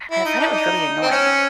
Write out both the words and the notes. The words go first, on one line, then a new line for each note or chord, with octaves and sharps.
I I thought it was really annoying,
E4
D#4
D4
D#4
C4
C#4